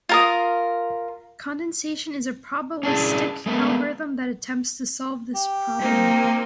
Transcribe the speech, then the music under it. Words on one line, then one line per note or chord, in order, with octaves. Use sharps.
Condensation is a probabilistic algorithm that attempts to solve this problem.
F4 A#4 D#6
C#4 D4 E4 G#4
G#3 A3 B3
G4
A#3 C4 D#4